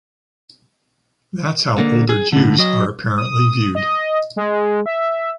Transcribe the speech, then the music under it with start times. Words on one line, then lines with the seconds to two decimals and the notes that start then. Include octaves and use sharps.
That’s how older Jews are apparently viewed.
1.78 D3 A#3
2.09 G#4
2.32 A2 D3
2.58 F#3 D#5
3.17 D#6
3.75 D#5
4.36 G#3
4.86 E5